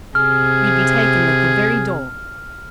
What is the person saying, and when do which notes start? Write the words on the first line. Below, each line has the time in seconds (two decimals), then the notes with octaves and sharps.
You'd be taken at the very door.
0.15 C3 G#4 F6